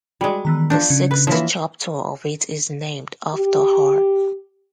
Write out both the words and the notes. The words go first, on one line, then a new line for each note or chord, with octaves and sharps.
The sixth chapter of it is named after her.
G3 G#3 F#4 G#4 D5
D#3 E3 B3 A#5
F3 D4 G6
C#3 C#4
B4
E3 F3 A#3 E4 C#5
G4